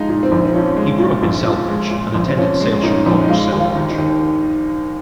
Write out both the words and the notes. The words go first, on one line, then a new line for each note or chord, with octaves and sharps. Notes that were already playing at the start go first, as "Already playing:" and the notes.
He grew up in Celbridge and attended Salesian College Celbridge.
Already playing: F3 G#3 D#4 F4
A#2
C4
A#1
C4
F3 C#4
G#3
A#2
A#1
F3
G#3
A#2
A#1
C4
F3 C#4
G#3
C#4
A#2 D#4
A#1
D#4
G#3 F4
D#2
F4
D#3
D#4
D#2